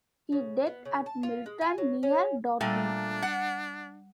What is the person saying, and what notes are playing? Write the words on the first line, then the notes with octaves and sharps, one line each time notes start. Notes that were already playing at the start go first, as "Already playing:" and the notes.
He died at Milton, near Dorking.
C#3
B3
C#3
A5
F4
G#3
G#5
F#3
C#4
A#2 G3 A3 D4
F#5